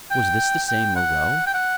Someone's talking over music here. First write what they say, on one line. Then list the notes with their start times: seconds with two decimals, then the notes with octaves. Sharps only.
Was this the same Moreau?
0.11 G5
0.68 G5
0.96 F#5
1.46 G5
1.54 F#5